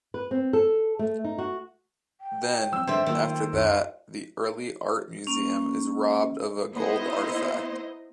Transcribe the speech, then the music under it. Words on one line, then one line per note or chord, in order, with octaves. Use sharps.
Then, after that, the Early Art Museum is robbed of a gold artifact.
B4
C4
A4
A3
D#4
F#4
G5
F3 F#3 C4 E6
G#2 D3 E3 C5 E5
D#3 F#3 A#3 F4
C#2 F#2
A#3 C#4
B3 D#4 E4 C5 D#5